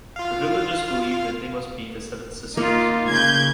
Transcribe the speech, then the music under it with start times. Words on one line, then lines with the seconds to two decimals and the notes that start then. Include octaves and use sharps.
The villages believed that they must be the seven sisters.
0.16 F4 F5
2.57 A#3 D#4 F4
3.09 C#3 G6 G#6